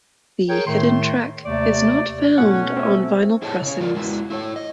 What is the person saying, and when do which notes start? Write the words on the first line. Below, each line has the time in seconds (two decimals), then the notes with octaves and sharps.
The hidden track is not found on vinyl pressings.
0.49 G#4 A#4 C#5 G5
0.66 A2 D#3 A3 C6
1.44 D#2 C3 A3 D5
2.38 B2 A3 C#4 F#5
2.77 C4 E5
3.42 E4 G#4 A4 C#5 D#5 A5
3.62 C#3 C#5
3.80 G#3 F4 A#4 D5
3.95 G#3 E4 F#4
4.30 E4 A4 C#5
4.56 D#5